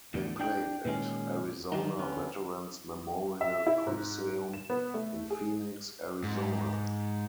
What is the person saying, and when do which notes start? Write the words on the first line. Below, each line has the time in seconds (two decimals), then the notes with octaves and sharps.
They played at Arizona Veterans Memorial Coliseum in Phoenix, Arizona.
0.14 E2 A2 D3
0.40 D4 G5
0.85 A#2 D#3 G#3 C#4
1.72 D3 D#3 F#3 D#4
1.99 D3 B3 C#4
3.41 E5
3.67 E4
3.87 G#2
4.54 E7
4.70 B3
4.94 A3
5.30 G#4
6.23 G#2